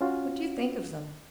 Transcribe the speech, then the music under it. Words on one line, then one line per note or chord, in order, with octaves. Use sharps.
What do you think of them?
C#4 F4 F#4